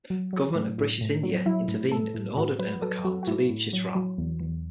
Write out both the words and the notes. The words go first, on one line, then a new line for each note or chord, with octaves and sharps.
The Government of British India intervened and ordered Umra Khan to leave Chitral.
F#3
F#3
A2
A2
A2
F#3
F#3 E4
A2
A2 A4
A2
A2 F#4
F#3 B4
F#3 A4
F#3 F#4
F#4
A2 E4
A2
F#3
F#3
E2
E2